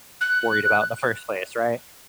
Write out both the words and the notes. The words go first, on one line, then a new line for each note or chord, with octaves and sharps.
worried about in the first place, right?
F#6